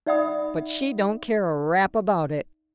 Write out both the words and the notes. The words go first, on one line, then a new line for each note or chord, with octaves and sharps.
But she don't care a rap about it.
D#4 D5 E5 F#5 B5 D#6